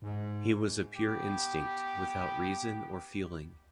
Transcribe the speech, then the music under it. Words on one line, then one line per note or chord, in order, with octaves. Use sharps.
He was a pure instinct, without reason or feeling.
G#2
B3 G4